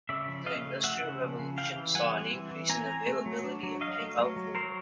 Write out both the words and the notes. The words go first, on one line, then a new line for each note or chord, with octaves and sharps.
The Industrial Revolution saw an increase in the availability of take-out food.
C#3 D5 E5
F3
C#3 D#5 F5
A3
F3 E5 F#5
C#3
F3
C#3
E3 F5 G5
E3
G3 F#5 G#5
C4
E3
E3
C4 G#5 A#5
C4
A3
F#3
D4
F#3
F#3 D#5 F5
A3
F#3
F#3
F#3 A#4 C5